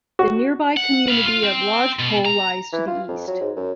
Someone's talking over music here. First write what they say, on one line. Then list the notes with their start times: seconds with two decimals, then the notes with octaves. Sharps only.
The nearby community of Lodge Pole lies to the east.
0.19 F#4
0.77 F#5
1.08 B4 F5
1.25 F4
1.43 C4
1.99 B2
2.26 A#5
2.72 E3
2.87 F4
3.08 F2
3.27 F#3
3.41 G#2
3.56 F#2